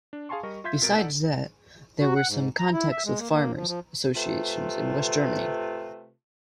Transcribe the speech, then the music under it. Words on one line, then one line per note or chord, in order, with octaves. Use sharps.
Besides that, there were some contacts with farmers' associations in West Germany.
D4
G#4 F5 G#5 A5 C6 C#6
G3 A#4 D#5 C#6
F4 E5 C6 G6 G#6 B6
C2 B2 A#4 A6 D7
D#4 A4 D5 F#5
F#4
F#5
G#2
A#5
E4
E5
G#3
A#3
A#3
F3
F3
C3 A3 F4 B4